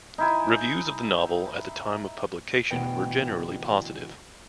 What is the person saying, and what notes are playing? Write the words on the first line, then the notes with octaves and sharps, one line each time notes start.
Reviews of the novel at the time of publication were generally positive.
D#4 E4 G#5
D2 B2 E3 G5